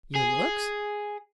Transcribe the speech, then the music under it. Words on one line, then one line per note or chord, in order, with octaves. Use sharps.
"Your looks?"
G#4